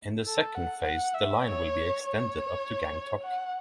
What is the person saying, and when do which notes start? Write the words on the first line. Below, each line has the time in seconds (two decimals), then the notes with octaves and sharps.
In the second phase the line will be extended up to Gangtok.
0.24 A4
0.54 F#5
0.84 F#5
1.14 E5
1.44 C#5
2.04 C#5
3.23 F#5